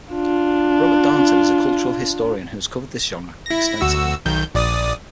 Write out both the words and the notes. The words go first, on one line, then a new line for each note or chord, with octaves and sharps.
Robert Darnton is a cultural historian who has covered this genre extensively.
D4 F4
E4 A#6
D2 F#4 E6
B1 D#3 G6
A#1 D5 D#6